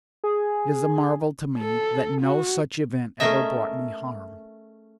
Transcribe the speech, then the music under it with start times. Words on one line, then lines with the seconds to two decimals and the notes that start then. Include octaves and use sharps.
It is a marvel to me that no such event ever brought me harm.
0.24 G#4
1.59 A4
2.21 F#4
3.20 A3 C#4 G#4 A#4 D#5 E5